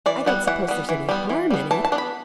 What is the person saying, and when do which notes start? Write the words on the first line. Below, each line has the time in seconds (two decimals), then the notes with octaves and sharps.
"I don't suppose there's any harm in it."
0.06 E3 D5
0.26 G3 B3 F#5
0.47 E3 F#5
0.68 G3 B3
0.89 E3
1.09 G3 B3
1.29 E3
1.50 G3 B3
1.71 E3 A5
1.85 A5
1.92 B3 D4
1.98 B5